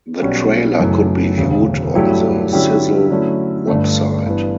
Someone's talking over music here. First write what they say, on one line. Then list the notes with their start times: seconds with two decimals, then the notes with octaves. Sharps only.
The trailer could be viewed on the Zizzle website.
0.22 B1 B2 G3 C#4
0.79 F#1 F#2 E3 A3
1.38 E1 D2 C#3
1.95 G2 F#3 A3 E4 G4
2.53 D3 F#3 C#4 E4 G4
3.10 D3 F#3 A3 C#4 E4
3.67 G1 G2 D3 A3
4.25 G1 G2 E3 B3